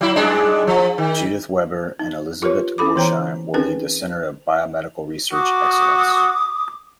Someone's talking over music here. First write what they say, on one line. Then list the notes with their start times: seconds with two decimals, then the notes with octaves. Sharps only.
Judith Weber and Elisabet Borsheim will lead the Center of Biomedical Research Excellence.
0.01 F#3 E4
0.16 F#2 G#3 D4
0.67 F3
0.98 D#3
1.99 D#4
2.42 F4 G4 A#4 B4 C#5
2.78 C#4 E4 A4 B5 D6
2.96 E3 B3 C5 C#5 G5 A#5
3.54 C4 C#4 D#4 G#4 A#4 B4
5.33 F#4 D6 D#6